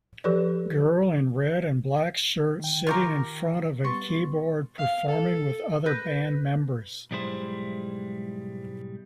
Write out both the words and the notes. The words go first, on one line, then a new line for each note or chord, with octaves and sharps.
Girl in red and black shirt sitting in front of a keyboard performing with other band members.
E3 F3 G4 A4 B4 D5
D#3 G5
F4 G4 A#4 A#5 C#6
G3 B3 C6 C#6 A6
F5
A4
B4 F#6 G6 A#6
B1 G#2 G3 G#3 E4 C5